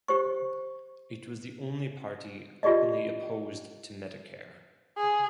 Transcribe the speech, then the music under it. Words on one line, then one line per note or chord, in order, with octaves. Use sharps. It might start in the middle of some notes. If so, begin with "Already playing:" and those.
It was the only party openly opposed to Medicare.
G4 C5 C#6
F4 G4 G#4 D5 D#5
G#4